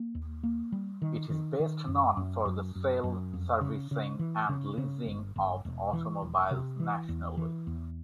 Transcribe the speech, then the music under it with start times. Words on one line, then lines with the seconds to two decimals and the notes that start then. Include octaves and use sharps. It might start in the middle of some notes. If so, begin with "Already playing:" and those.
It is best known for the sale, servicing and leasing of automobiles nationally.
Already playing: A#3
0.15 D#2
0.43 A#3
0.72 G3
1.02 D#3
1.30 D#3
1.60 D#3
1.88 F#2
2.17 F#2
2.45 F#2
2.75 F#2
3.04 F#2
3.33 F2
3.61 C#3
3.91 C#3
4.19 E3
4.49 C#3
4.77 C#3
5.06 G1
5.36 G1
5.65 E1
5.93 E3
6.22 E1
6.51 C3
6.80 E3
7.09 E2
7.37 E3
7.67 E2